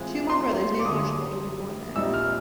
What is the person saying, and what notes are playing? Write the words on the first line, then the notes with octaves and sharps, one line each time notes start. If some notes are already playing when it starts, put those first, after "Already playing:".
Two more brothers, Neal and Archibald, would be born there.
Already playing: A2 E3 G#3 C4 F4
C6
D6
F#2 D3 G3 D#6
A#1 A#2 G3 C4 D#4 E6
F6